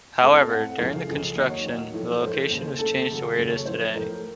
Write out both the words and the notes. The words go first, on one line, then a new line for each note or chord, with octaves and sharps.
However, during the construction, the location was changed to where it is today.
A2 A3 C4 F5
A5
A2 A3 C4 F#5
F#5
C#2 C#3 F3 A3 F5
C#2 C#3 F3 A3
D#2 D#3 F#3 D#5
C#5
D#2 D#3 F#3
A2 F3 A3
A2 F3 A3 C5
D#2 C#3 A3
D#2 C#3 A3 A4
D#2 C#3 F#3 A3
D#2 C#3 F#3 A3
C#5
A2 F3 A3 C5
A2 F3 A3 A#4